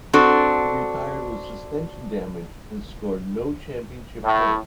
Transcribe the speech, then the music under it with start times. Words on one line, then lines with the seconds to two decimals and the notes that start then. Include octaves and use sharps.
He retired with suspension damage and scored no championship points.
0.13 C4 D4 F#4 A4
4.23 A2